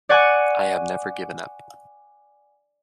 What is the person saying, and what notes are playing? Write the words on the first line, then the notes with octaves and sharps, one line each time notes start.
I have never given up.
D5 F#5 G#5 C#6